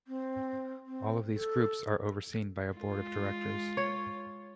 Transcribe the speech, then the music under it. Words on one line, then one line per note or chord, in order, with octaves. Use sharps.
All of these groups are overseen by a board of directors.
C4
C4
A4
G#3 F4
C#5